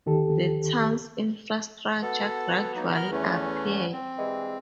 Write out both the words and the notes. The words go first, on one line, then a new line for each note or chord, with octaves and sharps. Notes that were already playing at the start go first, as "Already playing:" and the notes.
The town's infrastructure gradually appeared.
D2 D#3 G4 A4
B3 F#4 A4
F#3 A#3 D#4
A#4 F6
E2 E3 A3 C#4
C4
G2 E3 G#3